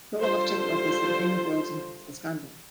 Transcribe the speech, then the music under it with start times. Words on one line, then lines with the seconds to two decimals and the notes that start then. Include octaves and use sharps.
Not long after taking office, he became embroiled in a political scandal.
0.21 D3 G3 F4 C5